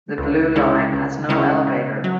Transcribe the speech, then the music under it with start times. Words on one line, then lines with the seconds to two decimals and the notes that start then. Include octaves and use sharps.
The Blue Line has no elevator.
0.18 C#2
0.56 C#3 G#3 C#4 E4
0.93 C#2
1.29 C#3 G#3 C#4 E4
1.67 C#3
2.04 F#3